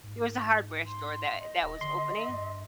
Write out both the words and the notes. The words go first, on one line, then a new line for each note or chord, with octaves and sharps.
It was a hardware store that that was opening.
G#2
C6
D#5
D#1
D3 C6
G2